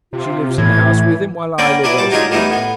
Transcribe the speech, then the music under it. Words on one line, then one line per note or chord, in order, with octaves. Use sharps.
She lives in the house with him, while I live elsewhere.
C3 F4
A2 E3 G#6
A#3 C#4 B4 D5 F#5 G5
F#3 B3 D4 E4 B4 D5
G3 A5 D6
F#3 G#3 D4 D#4 F4 G#4
D#3 E3 G3 A3 B3 D#4
A2 B3